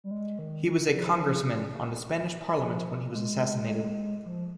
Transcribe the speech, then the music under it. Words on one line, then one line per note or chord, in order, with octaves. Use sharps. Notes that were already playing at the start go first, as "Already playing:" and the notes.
He was a congressman on the Spanish Parliament when he was assassinated.
G3
G#3
D#3
F3
F3
A#3
G#3
F3